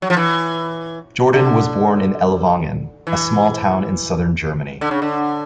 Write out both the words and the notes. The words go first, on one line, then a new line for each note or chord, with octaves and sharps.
Jordan was born in Ellwangen, a small town in southern Germany.
F#3
F3
E3
D3
E3
D3
C#3
D3